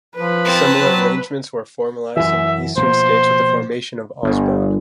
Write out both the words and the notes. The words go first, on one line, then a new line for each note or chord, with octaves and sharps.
Similar arrangements were formalised in the eastern states with the formation of AusBone.
F3 B4
C4 A5
F#3
F#2 E3 E5
B2 F3 A#3 C5
G1